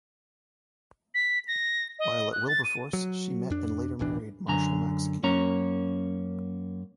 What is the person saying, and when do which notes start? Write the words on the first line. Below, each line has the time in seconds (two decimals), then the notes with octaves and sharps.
While at Wilberforce she met and later married Marshall Maxeke.
1.14 B6
1.48 A#6
1.99 D#5
2.32 F#6
2.48 A6
2.64 D#7
2.93 F#3
3.50 F2 D4
3.99 D1 A1 E3 D4
4.48 F#2 D3 G#5 A#5
5.23 F#2 A#3 C#4 C#5 A#5